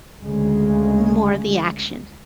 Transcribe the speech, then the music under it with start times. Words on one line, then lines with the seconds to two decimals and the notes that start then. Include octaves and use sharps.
more of the action.
0.22 D2 C#3 G#3